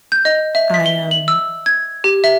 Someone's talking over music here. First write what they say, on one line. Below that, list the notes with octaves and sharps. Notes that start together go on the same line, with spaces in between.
I, um
G6
D#5
E5
B6
G7
F#7
E6
G#6
G4
E5